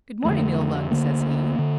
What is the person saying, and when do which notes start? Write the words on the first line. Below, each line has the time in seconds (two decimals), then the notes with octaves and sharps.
"Good-morning, Ill-Luck," says he.
0.25 F2 D3 A3
0.91 D2 D3 A#3
1.59 D3